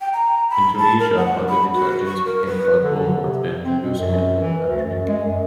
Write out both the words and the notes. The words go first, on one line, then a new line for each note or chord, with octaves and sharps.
In Tunisia, all the detergents became called Omo after introducing it in the country.
G5
A#5
B5
A5
A#4
F#5
B5
F#4
C#6
A#4
B4
D3
D3
C3
C4
B2
F#2
E3
D2
F#2
G#3
F#2